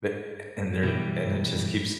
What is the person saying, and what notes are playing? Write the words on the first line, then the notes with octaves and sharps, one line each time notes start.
Th a and there and it just keeps
B2 E3 G3